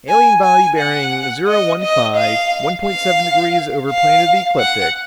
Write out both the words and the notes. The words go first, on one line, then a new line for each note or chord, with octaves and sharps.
Alien body bearing zero-one-five, one-point-seven degrees over plane of the ecliptic.
G#5
G#5
F#5
D#5
D#5
F5
F5
F5
F#5